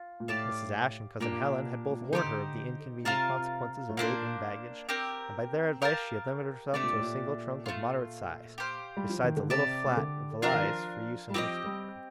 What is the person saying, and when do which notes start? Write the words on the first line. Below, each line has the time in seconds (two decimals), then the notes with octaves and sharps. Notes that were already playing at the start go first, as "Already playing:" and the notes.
Mrs. Ashe and Cousin Helen had both warned her of the inconvenient consequences of weight in baggage; and by their advice she had limited herself to a single trunk of moderate size, besides a little flat valise for use in her stateroom.
Already playing: F4
0.20 A#2
0.28 A2 G4 D5 F5 A5
1.20 A#2 A#3 D4 G4
1.89 A#2
2.01 C3
2.13 D3 D#4 G4 C5
3.04 C3 F4 A#4 F5 A5
3.89 A2
3.97 A#2 A#3 D4 A4 C5
4.89 C4 G4 A#4
5.82 G4 A#4 F5 A5
6.73 C3 A3 D4 G4 D5
6.83 A#2
6.93 A2
7.01 A#2
7.66 A3 D4 F4
8.58 G4 C5 F5
8.97 G3
9.10 F3
9.23 D#3
9.37 D3
9.50 C3 G4 D5 A5
9.86 C3
9.97 D3
10.42 F3 D4 F4 A#4 F5
10.52 D#3
10.63 F3
11.30 G3
11.34 F3 C4 G4 C5 D#5
11.66 G3